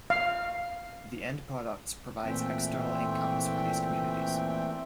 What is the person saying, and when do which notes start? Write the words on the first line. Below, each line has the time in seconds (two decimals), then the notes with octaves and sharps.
The end products provides external incomes for these communities.
0.10 F5
2.23 A#2 E3 A3 C4 E5 G5